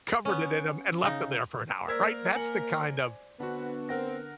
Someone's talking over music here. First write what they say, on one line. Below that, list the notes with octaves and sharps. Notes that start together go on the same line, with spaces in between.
covered it in 'em, and left 'em there for an hour." Right? That's the kind of,
B3 C#4
C#3 D#4
A#3 A#4 C5 D5 E6 G#6 B6
G#5 C#7 F#7
D3 B3 C4 D4 F#4 B4 F#5
C4 A#4 F#5 A#6